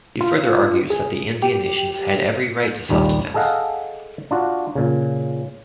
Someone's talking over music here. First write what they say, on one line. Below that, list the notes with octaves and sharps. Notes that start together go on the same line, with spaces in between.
He further argues that the Indian nations had every right to self-defense.
F4
G#4
G4
A#1 D#2 G3
G#4 A4 D#5 F5 F#5
D4 F4 F#4
A#2 C#3